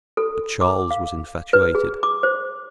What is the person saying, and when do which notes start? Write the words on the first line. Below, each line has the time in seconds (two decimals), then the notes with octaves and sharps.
But Charles was infatuated.
0.17 A4
0.61 D6
0.91 F5
1.53 B4
1.75 G#4
2.03 D6
2.23 C5